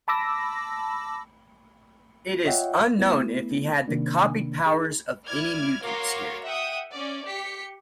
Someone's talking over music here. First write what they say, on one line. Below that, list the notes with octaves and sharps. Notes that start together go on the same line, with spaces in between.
It is unknown if he had the copied powers of any mutants here.
A5 B5 D6 E6 A#6
F4 C#5 D#5 E5 F#5 G5
A3 B3 E4
C3 D#3 A#3 D4
D#4 G#4
E4 D5 F6 G#6
F#4 A#4 C#5 F5 C6 D6
E5 F#5 G5 D#6
C#4 D5
G4 B6 C#7